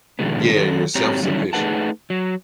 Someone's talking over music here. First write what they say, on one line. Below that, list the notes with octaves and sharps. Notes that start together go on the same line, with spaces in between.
Yeah. You're self-sufficient.
B2 D3 D#3 F3 G#3 B3
D#3 F#3 A4
G#2 F#3 C4 G4 C#5 A#5
D3 D#3 F#3 G3 C#4 E4
A3 D#4 G#4 B4 F#5 A5
F#3